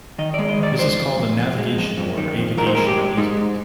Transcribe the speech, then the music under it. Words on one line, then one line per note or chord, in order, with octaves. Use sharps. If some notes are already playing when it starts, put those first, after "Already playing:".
This is called a navigation or avigational easement.
D#3 D#5
G#3 D5
D#5
D#3
D5
F2 C5
F2
F2
F2
G#3
F2
F2
D#3
F2
G#2 A#4
C5
G#3 A#4
G4
G#3
G#3 D#4
G#2